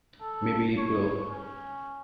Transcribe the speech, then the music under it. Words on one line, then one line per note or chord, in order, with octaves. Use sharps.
Maybe it will.
A4
C#5
C#4